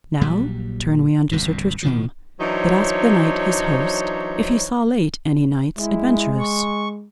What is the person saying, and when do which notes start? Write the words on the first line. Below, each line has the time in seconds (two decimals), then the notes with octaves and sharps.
Now turn we unto Sir Tristram, that asked the knight his host if he saw late any knights adventurous.
0.21 A#1 A#2 F#3 G3
1.31 G1 C2 G2 A#2
1.83 B2 D#3 F3
2.40 E3 F#3 D4 D#4 C5 C#5
5.78 G#3 E4
6.39 C#6